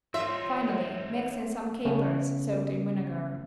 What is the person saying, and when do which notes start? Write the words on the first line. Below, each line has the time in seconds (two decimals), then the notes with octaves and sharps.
Finally mix in some capers soaked in vinegar.
0.14 C4 D#4 F4 C#5 E5
1.85 C#3 A3 B3 C#4